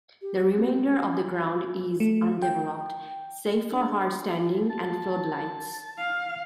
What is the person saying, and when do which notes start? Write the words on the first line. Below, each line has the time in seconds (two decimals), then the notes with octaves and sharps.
The remainder of the ground is undeveloped, save for hard standing and floodlights.
0.22 G4
0.57 C4
2.00 A3
2.42 G5
3.72 D4
4.70 A5
5.98 F5